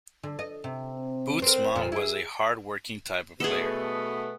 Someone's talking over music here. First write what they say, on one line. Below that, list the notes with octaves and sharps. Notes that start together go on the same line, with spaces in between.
Bootsma was a hard working type of player.
D3
D#5
C3
C4 A#4
F2 A#2 F3
E4 G#4
B2 A3 B3 G#4 A4